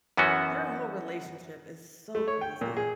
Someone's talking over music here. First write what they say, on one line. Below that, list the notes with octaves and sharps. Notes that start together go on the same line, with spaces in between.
Their whole relationship is so crazy.
F#2 E3 B3 C#4 F#4
A3
C#5
G5
A#2
G#4